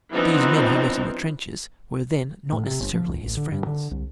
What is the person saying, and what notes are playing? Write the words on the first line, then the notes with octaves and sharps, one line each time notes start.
These men he met in the trenches were then not necessarily his friends.
E3 F3 B3 C4 D4 D#4
A2
C3
G1
F3
C#2
A1
D3
G2
D3
C2